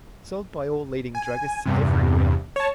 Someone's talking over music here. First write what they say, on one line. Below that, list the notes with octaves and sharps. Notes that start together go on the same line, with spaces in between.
Sold by all leading druggists everywhere.
G#5
E2 G2 C3
C#5 A5